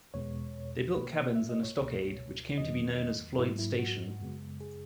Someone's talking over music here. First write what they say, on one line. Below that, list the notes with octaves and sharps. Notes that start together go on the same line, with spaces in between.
They built cabins and a stockade, which came to be known as Floyd's Station.
E2 B2 G#3 B3 C#5
B1 B2 A#3 B4
D#5
E5
D#5
C#5
C#2 B2 A#3 C#5
E2 D#3 F#3 B3 D#5
G#2 F#3 A#3 E4
E4
F#4
F#2 C#3 G#3 B3
G#4